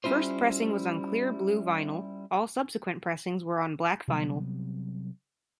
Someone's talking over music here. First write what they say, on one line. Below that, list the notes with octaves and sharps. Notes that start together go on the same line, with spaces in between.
First pressing was on clear blue vinyl; all subsequent pressings were on black vinyl.
G3 C#4 E4 F4 C5
C3 F#3 G3 B3